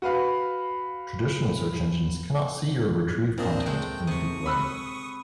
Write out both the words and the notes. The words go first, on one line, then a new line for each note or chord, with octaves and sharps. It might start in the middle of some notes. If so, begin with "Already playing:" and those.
Traditional search engines cannot see or retrieve content in the deep web.
F#4 B4 F5 B5
A#2 C4 D4 D#5
G#3 A3 C4 G5
C3 C#6 D#6
B5 E6 F#6